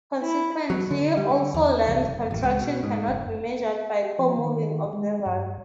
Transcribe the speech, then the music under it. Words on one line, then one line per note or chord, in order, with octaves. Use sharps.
Consequently, also length contraction cannot be measured by co-moving observers.
E4
F#3
D3
G3
D3
E2
C2
F#1
A1
C#2
B2
G#2
F#1
G4
F3
D#3
G#3
G2